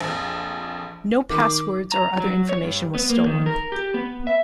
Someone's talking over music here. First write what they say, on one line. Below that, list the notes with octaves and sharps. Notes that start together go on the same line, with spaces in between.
No passwords or other information was stolen.
A#1 F2
D#3 D6
A#5
F#3
C#5
G2
B3
A#3
D#3
A#4
G4
B3
E5